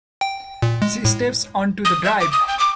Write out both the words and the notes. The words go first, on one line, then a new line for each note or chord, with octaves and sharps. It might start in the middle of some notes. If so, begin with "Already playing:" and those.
She steps on to the drive.
G5
A#2
G#3
A2
D#6
E5
D6
D#6
G5
D6